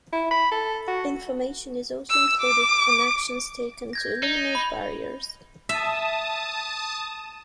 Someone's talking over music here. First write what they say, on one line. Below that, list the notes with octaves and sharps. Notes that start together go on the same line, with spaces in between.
Information is also included on actions taken to eliminate barriers.
E4
B5
A4
F#4
E6
D6
G6 G#6 A#6
D#4
B5
E5 A5 D#6